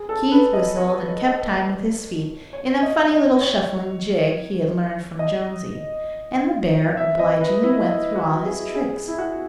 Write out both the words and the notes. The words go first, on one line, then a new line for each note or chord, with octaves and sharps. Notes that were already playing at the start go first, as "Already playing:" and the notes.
Keith whistled and kept time with his feet in a funny little shuffling jig he had learned from Jonesy, and the bear obligingly went through all his tricks.
Already playing: G#4
A4
B4
D#5
C#5
C#5
D#5
D#5
C#5
D#5
E5
D#5
B4
E4
F#4
G#4
G#4
E4
F#4